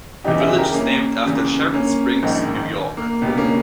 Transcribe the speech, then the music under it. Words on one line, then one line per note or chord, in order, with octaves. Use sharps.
The village is named after Sharon Springs, New York.
E2 C#3 E3 G3 D#4 G4
E4 G#4
G4 A#4
A#3 C#4
E2 C#3 G3
A#3 C#4
A#1 G#2 D#3
A#3
C#2 B2 G3 B3
A#3 C#4